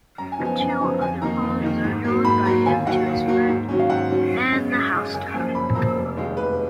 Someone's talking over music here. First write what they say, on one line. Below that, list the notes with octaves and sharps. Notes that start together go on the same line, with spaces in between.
Two other poems are known by him, "To His Friend" and "The Housedove".
F#2 A#5
G#5
C#3 F3 B3 D#4
G#5
F#2 G#5
A#5
C#3 F3 B3 D#4 G#5
F2 G#5
D#3 A#3 D#4 A#5
F2
D#3 A#3 D#4
G#2
F#3 A#3
G#2 B5
F#3 A#3 A#5
D#2 G#5
D#3 F#3 A#3 F#5
D#2
D#3 F#3 A#3
G#2
D#3 F#3 C#4
F5
G#2 F#5
D#3 F#3 C#4
F#2
C#3 G#3 C#4
F#2
C#3 G#3 C#4
F#1 G#5
F#2 F3 A#3 G#5
F#1 B5
F#2 F3 A#3 A#5
F1
D#2 D#3 G#3
F1 B4